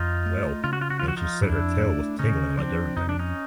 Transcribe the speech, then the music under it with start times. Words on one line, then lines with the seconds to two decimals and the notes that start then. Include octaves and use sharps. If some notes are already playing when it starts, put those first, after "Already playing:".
Well — and she said her tail was tingling like everything!
Already playing: F2 D#4 F4
0.26 A3
0.64 C#3 F4
0.73 F#4
0.81 F4
0.90 F#4
0.99 F4
1.03 F3 F#4
1.17 D#4 F4
1.42 F2 D4 E4
1.80 A3
2.19 C#3 C#4 D#4
2.58 F3 C4 D4
2.97 F2 D#4
3.09 D4
3.19 C#4 D#4